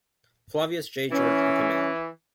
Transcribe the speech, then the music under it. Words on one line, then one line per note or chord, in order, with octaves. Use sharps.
Flavius J. George in command.
E3 C#4